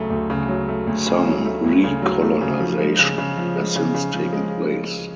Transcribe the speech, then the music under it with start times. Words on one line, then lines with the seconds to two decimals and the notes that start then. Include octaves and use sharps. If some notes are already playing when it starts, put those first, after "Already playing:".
Some recolonisation has since taken place.
Already playing: D2 C#3 F#3 A3
0.10 D2
0.30 C#3
0.48 F#3
0.68 A3
0.87 D2
1.06 C#3
1.26 F#3
1.45 A3
1.64 D2
1.84 C#3
2.02 F#3
2.21 A3
2.41 C#3
2.60 F3
2.80 G#3
2.99 C#3
3.18 C#3
3.37 F3
3.56 G#3
3.76 C#3
3.94 C#3
4.14 F3
4.33 G#3